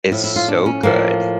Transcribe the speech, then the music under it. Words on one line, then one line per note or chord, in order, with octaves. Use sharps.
is so good,
A2 F3 E4
E4
F4
D4
C#4
A2 F3 A#3